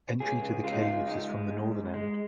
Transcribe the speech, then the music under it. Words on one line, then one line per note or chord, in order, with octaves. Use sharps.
Entry to the caves is from the northern end.
C#2 G#4
C#3
G#3 F4
D#4
C#2 F4
G#3 D#4
G#3
G#2
G#2
G#3